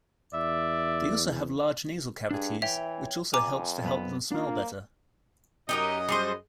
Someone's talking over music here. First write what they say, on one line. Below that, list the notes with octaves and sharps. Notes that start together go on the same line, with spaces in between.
They also have large nasal cavities, which also helps to help them smell better.
E2 D5 E5
G2 D4 G#4
E3 C#5 E5 G5
F2 G#5 A#5 D6
F#2 B3 B5
A#3 D4 F4
F#2 D#4 G4 A#4 D#5
G3 G#4 C5